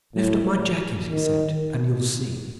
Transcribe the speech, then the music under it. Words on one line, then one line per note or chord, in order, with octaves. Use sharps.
"Lift up my jacket," he said, "and you'll see."
A2
D#3